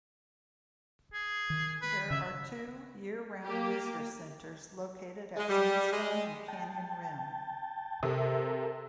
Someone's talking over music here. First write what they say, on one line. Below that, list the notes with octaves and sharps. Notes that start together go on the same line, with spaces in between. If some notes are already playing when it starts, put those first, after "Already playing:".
There are two year-round visitor centers located at Sandstone and Canyon Rim.
G#4
D#3
B4
C#3 E5
A#3 G4
G#3
G3
G#3
G5 A5
C3 A4 A#4 E5